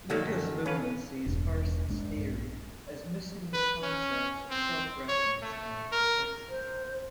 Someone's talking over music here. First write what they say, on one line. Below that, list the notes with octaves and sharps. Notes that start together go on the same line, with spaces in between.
Niklas Luhmann sees Parsons' theory as missing the concepts of self-reference and complexity.
A#1 D3 D#3 F#3 A#3 A4
F#2
C#4 A4 B4 F5
E1 G2
A#1 G#3 D4
B4
C#4
C4
C#5
A3
A#4
C5